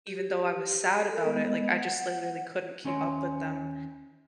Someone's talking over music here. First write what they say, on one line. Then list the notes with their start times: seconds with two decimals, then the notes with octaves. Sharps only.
even though I was sad about it Like, I just literally couldn't keep up with them,
0.07 G4
1.09 A4 A#4
1.24 G#3 B3 D#5
1.79 F#5
2.84 D#2 C#4 C#5 C6